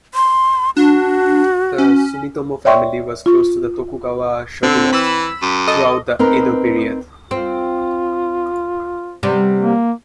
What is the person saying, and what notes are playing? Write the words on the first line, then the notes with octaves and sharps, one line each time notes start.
The Sumitomo family was close to the Tokugawa shogunate throughout the Edo period.
C6
D4 F#4
C#4
C#5 D5 E5 G5 C6 C#6
F4 C#6
D3 C4
E3 B5 E6
F#2
A4 D#5
C4 D#4 A#4 B4
C4 F4
C3 G3 B3
A#3